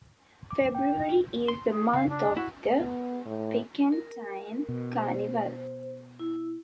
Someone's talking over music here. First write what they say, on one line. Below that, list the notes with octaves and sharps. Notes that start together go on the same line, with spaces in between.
February is the month of the Picentine Carnival.
D6
G5
D#4
C6
G#4
C#3 F5
D4
E4 F#4
B3
A2
A#4
B2
C5
E4